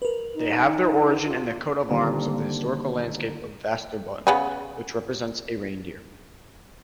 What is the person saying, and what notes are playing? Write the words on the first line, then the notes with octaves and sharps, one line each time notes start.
They have their origin in the coat of arms of the historical landscape of Västerbotten, which represents a reindeer.
A#4 B4
D#4
F4
D3 D#3 G3 A#3 C4
C#3 B3 G#5